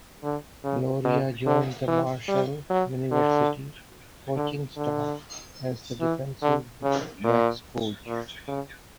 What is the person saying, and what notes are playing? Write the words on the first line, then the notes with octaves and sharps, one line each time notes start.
Loria joined the Marshall University coaching staff as the defensive backs coach.
D3
C#3
B2
D3
E3
G3
F#3
D3
D3
D3
E3
D3
C#3
A#2
A#2
C#3